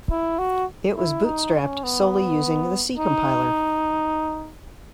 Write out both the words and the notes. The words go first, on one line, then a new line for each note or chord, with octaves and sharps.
It was bootstrapped solely using the C compiler.
E4
F#4
E4
D#4
C#4
B3
D#4